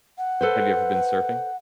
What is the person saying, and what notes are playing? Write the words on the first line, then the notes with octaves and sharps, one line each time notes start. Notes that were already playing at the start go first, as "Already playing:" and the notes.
Have you ever been surfing?
F#5
A4 B4 C5